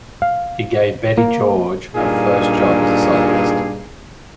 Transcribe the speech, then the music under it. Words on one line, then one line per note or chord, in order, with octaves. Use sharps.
He gave Betty George her first job as a soloist.
F5
A#3
G2 A#2 D4 D#4 G#4 F5